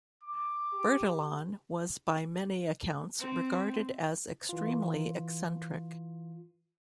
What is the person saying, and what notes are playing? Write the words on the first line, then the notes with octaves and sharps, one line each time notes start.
Bertillon was by many accounts regarded as extremely eccentric.
D6
G4
C4
E3 F4